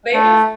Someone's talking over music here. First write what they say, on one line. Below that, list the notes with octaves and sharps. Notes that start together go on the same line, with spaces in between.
They just
A3